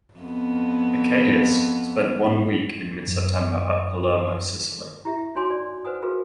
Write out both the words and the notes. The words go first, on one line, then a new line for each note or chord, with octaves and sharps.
"Achelous" spent one week in mid-September at Palermo, Sicily.
F2 B3
F#2
E4 G4 E5
D#4 F#4 C#5 G#5 C6 D6
D5
B4 C5 F#5 G#5 D#6
F4 F#4 G#4 A#4 B4 F5